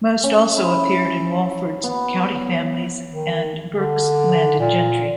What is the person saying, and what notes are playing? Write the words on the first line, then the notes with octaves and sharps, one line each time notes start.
Most also appeared in Walford's "County Families" and Burke's "Landed Gentry".
C#4
E4
B3
D#3
D3
A#2